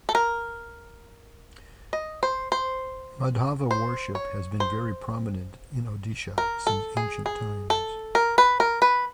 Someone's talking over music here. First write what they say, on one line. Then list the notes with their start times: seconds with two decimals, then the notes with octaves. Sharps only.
Madhava worship has been very prominent in Odisha since ancient times.
0.09 A4
0.15 A#4
1.93 D#5
2.23 C5
2.52 C5
3.71 C5
4.15 C#5
4.60 C5
6.38 A#4
6.67 A4
6.97 G#4
7.26 G#4
7.70 A4
8.15 A#4
8.38 B4
8.60 A#4
8.82 B4